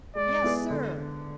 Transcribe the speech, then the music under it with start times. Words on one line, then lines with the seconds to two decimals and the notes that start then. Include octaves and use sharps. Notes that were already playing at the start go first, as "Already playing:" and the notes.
"Yes, sir."
0.15 G#3 D5
0.43 B3 E4 G#4 B4
0.70 D3